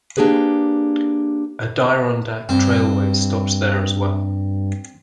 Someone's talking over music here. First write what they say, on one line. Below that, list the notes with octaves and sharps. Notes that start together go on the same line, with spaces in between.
Adirondack Trailways stops there as well.
A#3 D4 G4 G#4 B4
G2 C4